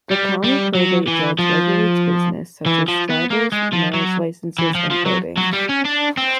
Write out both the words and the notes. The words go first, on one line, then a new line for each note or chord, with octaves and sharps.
The County Probate Judge regulates business such as drivers, marriage licences, and voting.
G3
G3
F#3
E3
F3
E3
F3
B3
A#3
G#3
F3
F#3
E3
F3
F3
F#3
F#3
G3
C#4
D4
C4